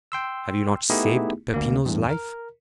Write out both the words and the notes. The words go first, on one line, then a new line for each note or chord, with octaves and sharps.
"Have you not saved Peppino's life?"
G5 C6 E6
A3 B3 D#4 E4 G4 G#4
D2 A#3
E2 G2
A#4